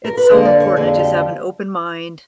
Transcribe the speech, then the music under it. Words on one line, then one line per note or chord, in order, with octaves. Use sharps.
it's so important to just have an open mind,
A#4
B4
F2 D3 F3 A#3 C5
D5
C#5
F2 D3 F3 A#3 G#4
G4